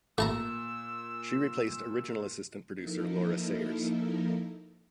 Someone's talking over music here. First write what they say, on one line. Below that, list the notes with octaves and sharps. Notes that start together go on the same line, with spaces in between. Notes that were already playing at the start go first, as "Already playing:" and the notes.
She replaced original assistant producer Laura Sayers.
A#2 A3 A5 A#5 E6
F3 A#3 D#4 E4 A4 A#4